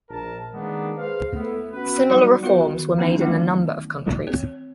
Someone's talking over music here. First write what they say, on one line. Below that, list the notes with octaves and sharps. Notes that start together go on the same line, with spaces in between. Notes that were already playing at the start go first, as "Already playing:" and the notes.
Similar reforms were made in a number of countries.
A#1 A#4 A5
D#3 G#3 A#3 B3 D4 D#4
G#4 B4 C5 F5
A3 B3 E4
B3 C#4 F#4 B4
F#3 G3 D#4 F#4 D5 F#5
B3 F4 F#4 A#4 B4 F5
D#3
E3 A#3 B3 C#4 D#4 E4
D#3 F#3 A3 B3 D4 F4
C4 C#5